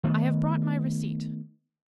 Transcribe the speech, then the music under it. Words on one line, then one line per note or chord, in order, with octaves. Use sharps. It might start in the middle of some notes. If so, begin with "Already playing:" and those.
"I have brought my receipt."
D#3 A3 B3